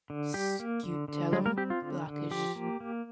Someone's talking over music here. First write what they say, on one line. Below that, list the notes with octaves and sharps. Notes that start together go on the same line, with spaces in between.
Scutellum blackish.
D3
G3 G4
A#3
D3
D3
G3 G#3 G#4
A#3 A#4
C4 G4
F4
D3
D3
F3 G4
A#3
A#3